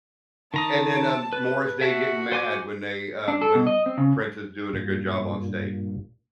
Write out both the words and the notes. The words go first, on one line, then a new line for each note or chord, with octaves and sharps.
and then, um, Morris Day getting mad when they, um, when Prince is doing a good job on stage.
D#3 A5 A#5 D#6
B4
F#4 E5 A5
C5 G#5 D6
D4
A4
B2
D#5
C4
C#3
G2 A#2